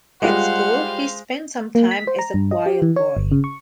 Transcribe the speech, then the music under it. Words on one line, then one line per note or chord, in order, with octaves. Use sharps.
At school he spent some time as a choir boy.
G3 G#3 F4 C5 F5 F#5
A#3
B6
C5
A#5
G2
D#5
G4
E3
C#5
G1
C#3
C#6